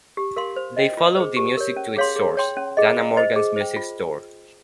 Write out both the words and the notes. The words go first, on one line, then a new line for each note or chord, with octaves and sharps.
They followed the music to its source, Dana Morgan's Music Store.
G4
A#4 F5 C6
C5
D#5 G5
F4
G#4 C5
G4
A#4 C#5
C#4
G#4 C#5 F5 C6
G#4
C#5 G5 C6
C#4
G#4 D#5
F4
C5 D#5
G#4
C5 G5
F4